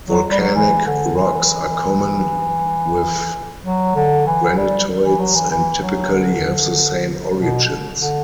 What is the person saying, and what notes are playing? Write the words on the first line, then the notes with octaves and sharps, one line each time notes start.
Volcanic rocks are common with granitoids and typically have the same origins.
F#3
G3
F#3
E3
D3
E3
F#3
D3
E3
G3
E3
F#3
E3
E3
F#3
D3
B2
D3